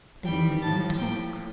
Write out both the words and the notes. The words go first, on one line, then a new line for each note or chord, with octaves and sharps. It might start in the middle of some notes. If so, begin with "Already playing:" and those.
Then we will talk.
F2 E3 G3 G5
A2 F3 A5
A2 F3 G5